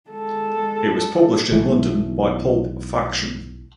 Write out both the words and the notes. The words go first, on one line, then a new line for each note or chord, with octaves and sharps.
It was published in London by Pulp Faction.
G#3 A4
B1 E3 A3